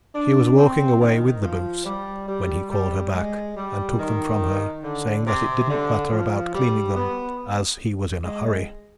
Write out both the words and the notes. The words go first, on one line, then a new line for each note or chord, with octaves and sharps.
She was walking away with the boots, when he called her back and took them from her, saying that it didn't matter about cleaning them, as he was in a hurry.
D4
C4
D#3
F3
G3
G3
G3
G#3
G3
D#3
D3
C3
D3
F3
G3
B3
G#3